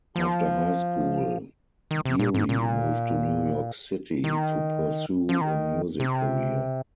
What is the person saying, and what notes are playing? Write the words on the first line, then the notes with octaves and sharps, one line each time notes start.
After high school, Dearie moved to New York City to pursue a music career.
F3
D#3
C3
A#2
G#2
A#2
D#3
F3
D#3
C3